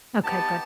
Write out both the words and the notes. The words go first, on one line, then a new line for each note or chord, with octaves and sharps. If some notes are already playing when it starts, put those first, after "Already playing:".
Okay, good.
B3 D#4 G4 A5